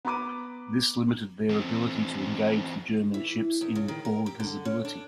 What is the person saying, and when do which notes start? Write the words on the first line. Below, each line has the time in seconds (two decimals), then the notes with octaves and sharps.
This limited their ability to engage the German ships in the poor visibility.
0.05 B3 A#5 B5 D6 D#7
1.49 E2 C4
3.14 E3
3.61 E2
3.75 C#3
3.88 D#3
4.05 A#4
4.26 G4
4.40 D3
4.65 C#4
4.85 D4